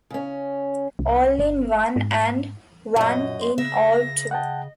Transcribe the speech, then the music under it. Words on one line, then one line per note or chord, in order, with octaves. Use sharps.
All in one and one in all too.
C#3 C#4
C2
G1
G#2
F#2 A#2 D#5
C6
C#3 E5 A#6
D#5 F#5 G5 A5